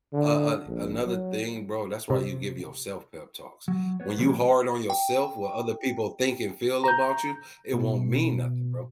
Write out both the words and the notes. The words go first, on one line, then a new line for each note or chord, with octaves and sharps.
uh, uh, another thing, bro, that's why you give yourself pep talks. When you hard on yourself, what other people think and feel about you, it won't mean nothing, bro.
D3
A#1
F#3
C3
F#3
B3 C#5
C3 E3 F3 G3 G#3 A#3
G5
A#5 G6
B2